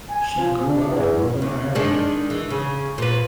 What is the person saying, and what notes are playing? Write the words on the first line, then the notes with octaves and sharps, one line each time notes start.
She grew up in Northern Ireland.
G#5
F3
D4
E2
D#2
D#3 G#3 D4
E3
C#3
A#2 B4